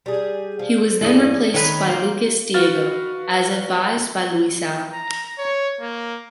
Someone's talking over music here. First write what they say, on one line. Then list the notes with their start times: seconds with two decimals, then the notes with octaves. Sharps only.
He was then replaced by Lucas Diego, as advised by Luisao.
0.06 G3 G#4
0.59 F3
1.01 E2 G2 G#3 D5 D#5
1.54 D#3 B4 C#5 G5 A#5
1.88 A#3 C5
2.54 F#4 B4 F5 F6 A6
4.93 A#5
5.38 C#5
5.81 A#3